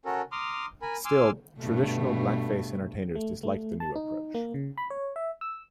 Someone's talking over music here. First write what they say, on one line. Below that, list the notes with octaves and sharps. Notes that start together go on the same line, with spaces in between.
Still, traditional blackface entertainers disliked the new approach.
C#4 F#4 A4 A#4
A#5 C6 D6 D#6 F6
A#4 G#5 B5
G#5 C6 D6 E6 F6
G2 B2 A3
A3
A3
A5
D#4
A#3
C#3
B5
C#5
E5
E6